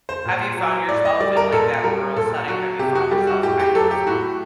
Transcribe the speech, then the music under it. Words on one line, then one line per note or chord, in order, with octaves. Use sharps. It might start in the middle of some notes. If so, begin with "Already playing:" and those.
Have you found yourself in, like, that rural setting? Have you found yourself kind of,
C5
A#2
F#3
A2 D5
D#5
G3 D5
A#4
A#2 A4
G3 A#4
A#2 A4
F#3 F#4
C3 G4
F#4
G3 G4
F#4
A2 G4
G4
F#3 A4
G4
A2 F#4